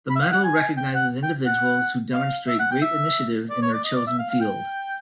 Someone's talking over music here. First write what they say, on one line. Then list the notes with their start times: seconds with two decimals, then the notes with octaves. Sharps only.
The medal recognizes individuals who demonstrate great initiative in their chosen field.
0.10 B5
0.16 E5
0.21 F5
0.32 F#5
0.44 G#5
0.78 G5
0.95 F#5
1.23 G5
1.46 F#5
2.14 F5
2.48 E5
2.59 F#5
2.71 G5
2.82 E5
3.50 D5
3.62 C#5
3.74 D5
3.84 D#5
3.96 D5
4.07 E5
4.19 F5
4.30 F5
4.41 G5